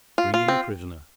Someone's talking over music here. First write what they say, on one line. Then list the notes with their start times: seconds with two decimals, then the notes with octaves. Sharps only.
"Bring in the prisoner."
0.18 F4
0.34 F4
0.48 C4